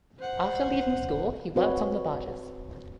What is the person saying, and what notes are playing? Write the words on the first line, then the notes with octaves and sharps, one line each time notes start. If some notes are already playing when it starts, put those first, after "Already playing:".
After leaving school he worked on the barges.
C5 F#5
C4 F#4 B4 C#5